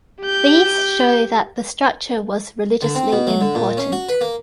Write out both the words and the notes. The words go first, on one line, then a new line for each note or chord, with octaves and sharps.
These show that the structure was religiously important.
G4 G6
D3
C4
B2
F#3
D3
A#2
C#4
F#4
B4
A#3